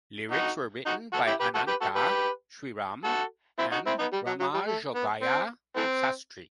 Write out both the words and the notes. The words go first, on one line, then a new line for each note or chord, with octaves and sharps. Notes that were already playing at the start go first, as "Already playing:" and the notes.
Lyrics were written by Ananta Sriram and Ramajogayya Sastry.
D#4 F#4
D#4 F#4
F#4 A4
E4 G4
G4 B4
F#4 A4
G4 B4
F#4 A4
G4 B4
F#4 A4
C4 E4
D#4 F#4
C4 E4
B3 D#4
G3
F#3
F#3
G3
A3
B3
C4
E3 A3 C4